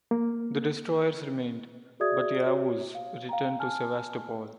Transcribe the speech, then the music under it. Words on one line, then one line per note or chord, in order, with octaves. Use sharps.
The destroyers remained, but "Yavuz" returned to Sevastopol.
A#3
F#4 G#4 D5 E5 D#6 G#6
F#4 C#5
F5
F5 G5 A#5
G#5 A5 F6